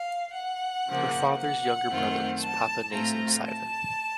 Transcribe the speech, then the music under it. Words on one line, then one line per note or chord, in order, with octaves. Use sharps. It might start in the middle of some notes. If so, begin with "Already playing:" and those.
Her father's younger brother was Papanasam Sivan.
Already playing: F5
F#5
C#3 F3 A#3
F#5
F#2 D#3 A3 C4 F4
A5
A2 A3 C4 F4 A#5
A5